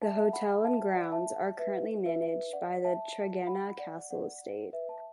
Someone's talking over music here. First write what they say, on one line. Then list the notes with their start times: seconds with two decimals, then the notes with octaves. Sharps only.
The hotel and grounds are currently managed by the Tregenna Castle Estate.
0.02 E5 A5
0.17 E5 A5
0.33 F#5 B5
0.64 E5 A5
0.96 D5 F#5
1.12 E5 A5
1.59 B4 E5
2.06 B4 E5
2.22 B4 E5
2.53 D5 F#5
2.85 E5 A5
3.47 F#5 B5
3.78 D5 F#5
4.11 D5 F#5
4.73 B4 E5
4.89 E5 A5